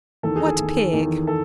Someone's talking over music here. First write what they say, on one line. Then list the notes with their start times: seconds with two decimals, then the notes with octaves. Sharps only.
"What pig?"
0.23 E2 D#3 A4
0.36 G#4
0.47 G#4
0.58 E2 D#3
0.93 E2 D#3
1.27 A4